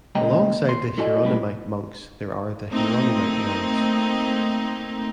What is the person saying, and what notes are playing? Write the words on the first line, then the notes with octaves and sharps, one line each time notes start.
Alongside the Hieronymite monks, there are the Hieronymite nuns.
C#3 G#3 A#3 D#5 G5 A#5
D#2 C6
E4 F#4 A4 D5 D#5 G#5
F#2 A2 G3 B4
A3 A#3 C4 D#4